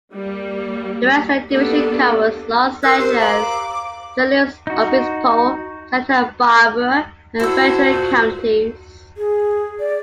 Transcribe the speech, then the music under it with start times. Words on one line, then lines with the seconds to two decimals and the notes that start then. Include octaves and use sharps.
The Western Division covers Los Angeles, San Luis Obispo, Santa Barbara, and Ventura Counties.
0.13 G3 A#3
1.50 A#3 B3 D4 G4 A4
2.83 A#4 E6 F#6
2.99 G4 C5
3.20 F5 A#5 D6 F#7
4.67 D#4 F#4
7.40 E4 F#4 A4 C5 E6
7.90 A#2
9.17 G#4
9.80 D5